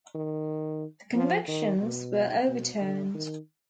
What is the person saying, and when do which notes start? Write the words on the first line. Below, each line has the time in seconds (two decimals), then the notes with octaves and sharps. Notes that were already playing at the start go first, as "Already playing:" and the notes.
The convictions were overturned.
0.15 D#3
1.15 F3
1.48 D#3
1.82 B2
2.48 B2
2.81 D3
3.15 D#3